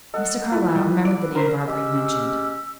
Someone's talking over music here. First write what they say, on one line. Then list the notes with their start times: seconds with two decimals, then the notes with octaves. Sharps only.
Mr. Carlyle remembered the name Barbara had mentioned.
0.14 A4 D#5 F#5
0.52 E4 F4 B4
0.76 G3
1.05 D5
1.36 A#4 C5
1.68 G#3 C#4 G4 E6